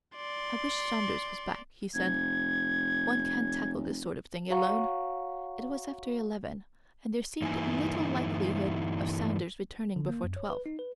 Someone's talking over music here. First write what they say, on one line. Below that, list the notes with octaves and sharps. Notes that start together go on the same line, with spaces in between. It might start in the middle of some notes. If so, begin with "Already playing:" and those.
"I wish Saunders was back," he said; "one can't tackle this sort of thing alone." It was after eleven, and there seemed little likelihood of Saunders returning before twelve.
D5 C6
F1 G#6
F#4 C#5 F5 F#5 A#5 C#6
G2 E3 A#3 D#4 E4 G#5
D3
A#3
F#2
C#5
B4
D#4
B4